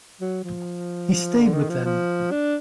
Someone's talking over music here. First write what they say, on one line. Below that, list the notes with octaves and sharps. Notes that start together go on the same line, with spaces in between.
He stayed with them.
F#3
F3
D3
D#3
F3
F3
D4